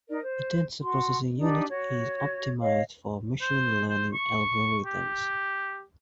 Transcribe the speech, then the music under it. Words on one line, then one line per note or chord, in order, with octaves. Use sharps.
A Tensor Processing Unit is optimized for machine learning algorithms.
D#4 A#4 D5
C5
F#4 C6
D4 D#4 G4 D5
F#4 C#5
C#5 D#5 F5
C5
C5
C#6
G4